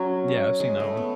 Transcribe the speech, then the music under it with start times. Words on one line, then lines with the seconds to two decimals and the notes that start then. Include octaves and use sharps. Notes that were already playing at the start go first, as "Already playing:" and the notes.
Yeah, I've seen that one.
Already playing: F#3 C#4
0.60 G#3
0.80 A3
0.97 B3